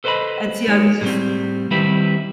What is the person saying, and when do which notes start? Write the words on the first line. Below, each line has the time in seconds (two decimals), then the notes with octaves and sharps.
and see, I was just
0.04 A4 B4 C5 D5 D#5 B5
0.68 G#3 D#4 C#5
1.01 A2 G3 C4
1.71 D#3 G3 C4 E4 G4 B4